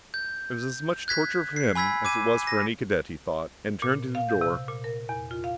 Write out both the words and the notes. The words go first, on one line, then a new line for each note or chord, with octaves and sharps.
It was as much torture for him, as it was for any cadet, he thought, and turned to the door.
G6
F#6 G#6 B6
C7
G#5 B5 E6 G#6 B6
D6 G#6 D#7
A#6
A#2
F5
G6
C3
A#2
A#4
E2
F4
F5